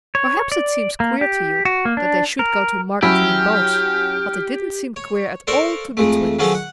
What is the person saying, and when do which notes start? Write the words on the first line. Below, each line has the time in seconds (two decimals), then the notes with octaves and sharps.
Perhaps it seems queer to you that they should go to market in a boat, but it didn't seem queer at all to the Twins.
0.15 C#5
0.52 D5
1.00 A#3
1.21 G4
1.65 F#4
1.85 A#3
1.97 D4
2.39 A#4
3.02 F#3 C#4 E4 G4 F6
4.96 C#5
5.47 A4 A#4 C5 D5 F5 C#6
5.97 F2 G#3 A3
6.39 D#3 F3 F#3 C#4 G#4 A4
6.55 F#5